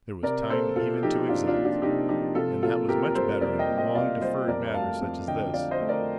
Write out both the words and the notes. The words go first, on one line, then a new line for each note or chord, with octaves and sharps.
There was time even to exult, and that was much better in a long-deferred matter such as this.
C3 A#4 D5
A#3 A4 C5
C3 F4 A4
F3 D#4 G4
C3 D4 F4
D4 F4
A#3
D4 F4
C3 D#4 G4
F3 D#4 G4
C3 F4 A4
A#3 F4 A4
C3 G4 A#4
A#4
G3 A4 C5
C3 A#4 D5
D#5 G5
A#3
D#5 G5
C3 D5 F5
G3 C5 D#5
F2 A#4 D5
A3 F5 A5
F2
D3 D#5 G5
F2 D5 F5
C5 D#5
A3
A#4 D5